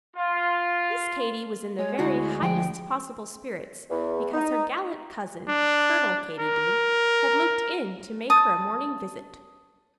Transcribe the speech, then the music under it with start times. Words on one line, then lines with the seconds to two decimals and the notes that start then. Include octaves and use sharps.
Miss Katy was in the very highest possible spirits, because her gallant cousin, Colonel Katy-did, had looked in to make her a morning visit.
0.16 F4
1.79 G#3 C#5
1.99 D2 E4 F#4
2.42 F3 G5
3.90 E2
4.32 D#4
5.49 D4
6.40 A#4
8.30 A5 D#6